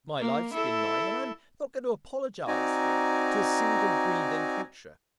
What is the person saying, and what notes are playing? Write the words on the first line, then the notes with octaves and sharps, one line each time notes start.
My life's been mine, and I'm not going to apologise for it to a single breathing creature.
A#3
E4 A4
C4 D#4 F#4 D5 G#5 A#5